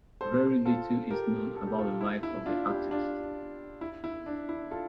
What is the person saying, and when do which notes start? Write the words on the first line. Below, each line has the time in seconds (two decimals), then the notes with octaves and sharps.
Very little is known about the life of the artist.
0.21 A4 C5
0.65 F4 A4
1.10 G4 A#4
1.56 A4
1.67 G4
1.79 F4 A4
2.01 E4
2.23 E4
2.46 D4 F4
2.69 E4 G4
2.91 D4 F4
3.81 E4
4.04 E4
4.26 D4
4.49 E4
4.71 F4 A4